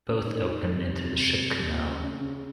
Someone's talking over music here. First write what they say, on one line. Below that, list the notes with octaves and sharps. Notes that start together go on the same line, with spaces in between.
Both open into the ship canal.
C#3
D#3
D#3
C3
A#2
C#3
C#3
C#3